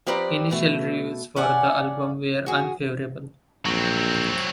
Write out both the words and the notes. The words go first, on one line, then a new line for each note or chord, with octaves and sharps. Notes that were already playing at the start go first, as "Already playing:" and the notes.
Initial reviews for the album were unfavorable.
F3 C4 G4 B4 D5 A#5
B2 A3
C#4 D5 F#5 G#5 A5
F#4 G#4
A#1 F#3 C4